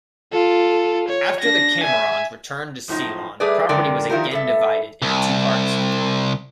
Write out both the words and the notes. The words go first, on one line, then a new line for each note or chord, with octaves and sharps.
After the Camerons returned to Ceylon the property was again divided into two parts.
F4 A4
C#5
D4 A#6
E5 G#5
F#2 A2 F3 D#4
G3 A3 G#4 B4 D5
F#2 D3 G#3 A#4 D5 G5
D#3 F3 E4 F4 G4 A#4
G2 A4 E5
C2